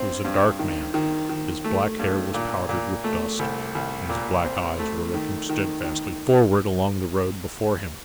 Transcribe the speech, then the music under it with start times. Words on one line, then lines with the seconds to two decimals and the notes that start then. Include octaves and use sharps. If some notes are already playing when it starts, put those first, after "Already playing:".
He was a dark man, his black hair was powdered with dust, and his black eyes were looking steadfastly forward along the road before him.
Already playing: G2 C4
0.25 G2
0.59 D#3
0.94 D#3
1.29 D#3
1.64 A3
1.99 G2
2.34 A#2
2.69 A#2
3.04 A3
3.39 C2
3.75 C2
4.09 A#2
4.44 C4
4.79 A3
5.14 D#3
5.49 D#3
5.84 D#3